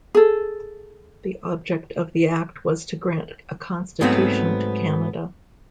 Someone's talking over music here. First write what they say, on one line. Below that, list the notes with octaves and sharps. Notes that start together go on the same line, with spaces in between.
The object of the Act was to grant a Constitution to Canada.
G#4 A4
G#2 F#3 A3 B3 C4